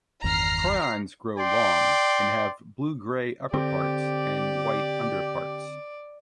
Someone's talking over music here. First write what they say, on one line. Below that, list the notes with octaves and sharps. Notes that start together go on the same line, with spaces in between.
Prions grow long, and have blue-grey upper parts and white underparts.
G1 E2 D#3 A#5 F6 C7
D5 G5 C6
D3 C4 G4 D5